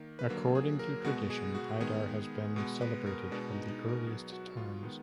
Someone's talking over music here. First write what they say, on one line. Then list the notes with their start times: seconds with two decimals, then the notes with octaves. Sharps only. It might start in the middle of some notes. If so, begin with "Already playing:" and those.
According to tradition Idar has been celebrated from the earliest times.
Already playing: D#3 A#3
0.19 B4
0.29 D3 F#3 A#3 A#4
0.55 G#4
0.79 A#4
1.04 B2 G#3 B3 F#4
1.30 G#4
1.55 F#4
1.80 D#3 G#3 B3 G#4
2.56 B2 G#3 B3
2.81 B4
3.06 A#4
3.31 B2 G#3 B3 D4
3.51 D#4
3.69 D#4
3.89 A#4
4.07 B2 F#3 B3 G#4
4.33 F#4
4.57 F4
4.83 D#3 G#3 B3